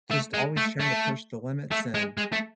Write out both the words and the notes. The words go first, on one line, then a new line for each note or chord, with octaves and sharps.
just always tryna push the limits and,
A3
G#3
A3
A3
A3
G#3
G#3
A3